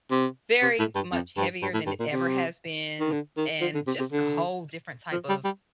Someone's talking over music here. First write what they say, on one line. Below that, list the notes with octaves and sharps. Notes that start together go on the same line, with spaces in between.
very much heavier than it ever has been, and just a whole different type of
C3
C3
A2
G2
F2
G2
G2
A2
G2
A#2
C3
D#3
D3
D#3
F3
D3
C3
C3
D3
F3
G3
G3